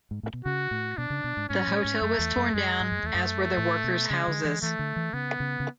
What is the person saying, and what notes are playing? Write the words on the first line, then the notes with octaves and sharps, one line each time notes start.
The hotel was torn down, as were the workers' houses.
G#2
A2
B2
C#3 F#4
A2
B2 D4
C#3
B2
G#2
G#2 C#4
A2
G#2
F#2 A3
E2
F#2
F#2 G#3
G#2
F#2
E2 A3
F#2
A2
B2
C#3 G#3
D3
E3
E3 A3
D3
E3
C#3 B3
C#3
C#3